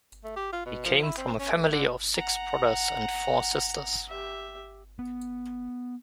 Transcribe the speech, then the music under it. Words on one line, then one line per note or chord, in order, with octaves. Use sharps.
He came from a family of six brothers and four sisters.
A3
G4
F4
B2
F3
E4
C4
C#4
A3
D3
F#5 A#5
G4 E5
B3